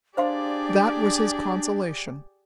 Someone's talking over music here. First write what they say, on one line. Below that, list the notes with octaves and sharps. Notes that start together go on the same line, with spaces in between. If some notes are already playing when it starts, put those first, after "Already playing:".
That was his consolation.
D4 G4 G#4 C5 D5 F5 C6